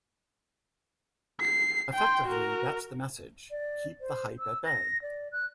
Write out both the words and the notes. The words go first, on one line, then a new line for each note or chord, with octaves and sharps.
Effectively, that's the message: Keep the hype at bay.
C7
G5 C6
F#4 A#4
D5
C5
E6
A#6
D5
F#6